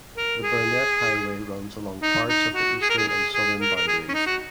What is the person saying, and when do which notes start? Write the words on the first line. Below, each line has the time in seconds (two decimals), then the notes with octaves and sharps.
The Burnett Highway runs along parts of the eastern and southern boundaries.
0.17 A#4
0.43 G#4
2.02 D#4
2.29 D#4
2.55 F#4
2.82 G#4
2.90 A#4
2.98 G#4
3.08 G#4
3.34 G#4
3.61 A#4
3.76 A#4
3.88 G#4
4.09 C#4
4.14 D#4
4.27 F#4